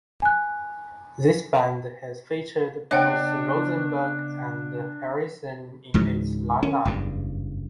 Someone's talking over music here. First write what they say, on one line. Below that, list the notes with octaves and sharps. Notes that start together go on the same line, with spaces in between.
This band has featured both Rosenberg and Harrison in its line-up.
G#5 F#6
C#3 B3 D4 C#5 D#5 F#5 G5
C#2 G#2 E3 F#3
C#4
F#1 E2 G2